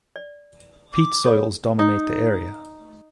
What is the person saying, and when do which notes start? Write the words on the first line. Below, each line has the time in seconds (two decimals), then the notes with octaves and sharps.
Peat soils dominate the area.
0.16 D5
0.93 D6
1.25 A4 C#5 B5
1.79 D#4